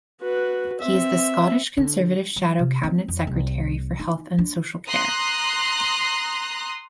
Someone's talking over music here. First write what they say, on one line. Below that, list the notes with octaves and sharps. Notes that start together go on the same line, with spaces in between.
He is the Scottish Conservative Shadow Cabinet Secretary for Health and Social Care.
F#4 B4
C4 E5
D3
F#3
C3
C4
F2
C2
D#4
D4
A#5 C6 D#6 F#6